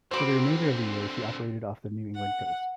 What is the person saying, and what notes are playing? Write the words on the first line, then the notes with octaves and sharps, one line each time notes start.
For the remainder of the year, she operated off the New England coast.
D3 C4 F#4 C5 B5 D6
F#5